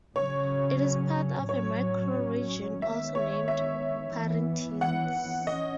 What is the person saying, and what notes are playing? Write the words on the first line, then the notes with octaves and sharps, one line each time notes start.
It is part of a microregion also named Parintins.
C#3 F#3 C#4 C#5
A2 F#3 C#4 C#5
D#3 G#3 B3 E5
C#5
E5
E3 B3
F#5
C#4 D#5